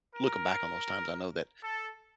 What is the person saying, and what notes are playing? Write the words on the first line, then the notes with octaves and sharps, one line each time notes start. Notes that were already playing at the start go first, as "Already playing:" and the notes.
looking back on those times, I know that,
A#4
A4